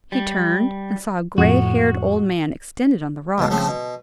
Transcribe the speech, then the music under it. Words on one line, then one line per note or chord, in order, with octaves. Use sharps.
He turned, and saw a gray-haired old man extended on the rocks.
G3
F2 A2 F#4
C#2 B2 A5
C#3 F3 A3 C4
B2